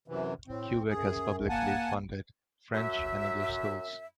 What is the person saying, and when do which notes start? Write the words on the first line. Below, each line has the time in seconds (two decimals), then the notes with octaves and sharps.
Quebec has publicly funded French and English schools.
0.08 F#2 C3 E3
0.48 A2 C4
0.88 F#2 G#4
1.49 A#3 F#5 G#5 A5
2.74 F#2 E5